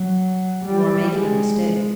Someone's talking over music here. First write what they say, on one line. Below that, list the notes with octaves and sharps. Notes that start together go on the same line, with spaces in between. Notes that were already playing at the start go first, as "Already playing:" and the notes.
"You are making a mistake."
Already playing: F#3
G3
G#3